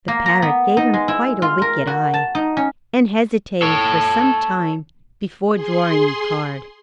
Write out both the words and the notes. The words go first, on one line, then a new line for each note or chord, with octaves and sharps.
The parrot gave him quite a wicked eye, and hesitated for some time before drawing a card.
A#3
A#5
B3
D#4
G#3
E4
F4
A#4
F#4
A5
D#4
C#4
A4 C#5
G#4 C6